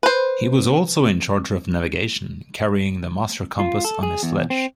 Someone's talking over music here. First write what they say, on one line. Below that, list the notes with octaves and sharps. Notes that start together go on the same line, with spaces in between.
He was also in charge of navigation, carrying the master compass on his sledge.
B4 C5
F4
A4
G#4
E2
C4